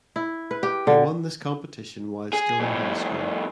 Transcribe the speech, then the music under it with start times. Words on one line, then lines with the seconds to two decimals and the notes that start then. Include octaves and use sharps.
He won this competition while still in high school.
0.16 E4
0.51 B4
0.63 G4
0.87 D3
2.33 G#4
2.60 F2 A2